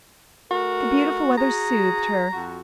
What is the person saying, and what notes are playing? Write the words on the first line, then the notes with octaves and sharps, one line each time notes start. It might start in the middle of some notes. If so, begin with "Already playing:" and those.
The beautiful weather soothed her.
A3 F#4 A#4
F#4 G#4 A#5
F2 F#4